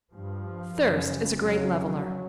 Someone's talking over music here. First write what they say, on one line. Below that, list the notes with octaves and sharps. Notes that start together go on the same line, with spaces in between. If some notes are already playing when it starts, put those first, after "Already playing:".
Thirst is a great leveller.
G2 F3
F#2 C#3
F2 C#3 F#3